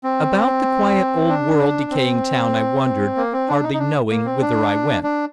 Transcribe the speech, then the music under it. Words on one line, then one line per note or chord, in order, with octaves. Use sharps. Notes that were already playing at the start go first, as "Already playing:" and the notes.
About the quiet, old-world decaying town I wandered, hardly knowing whither I went.
C4
D4
C4
A#3
C4
D4
D#4
D#4
D4
A#3
C4
D4
D4